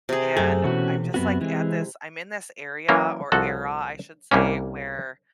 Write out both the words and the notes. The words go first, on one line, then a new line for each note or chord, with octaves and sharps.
and I'm just like, at this I'm in this area or era I should say where
C3 G#4
F#2 A3 G#4
B2 E3 C#4 F#4
F#2 B3 C4 F#4
E3 G#3
E3 F#3 A#3 C#4 A#4
C2 F3 F#4 A4 F#5
C2 G3 A#3 C#4